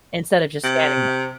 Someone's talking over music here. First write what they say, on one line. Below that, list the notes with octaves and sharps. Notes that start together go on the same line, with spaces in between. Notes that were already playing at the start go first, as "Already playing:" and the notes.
instead of just standing
C3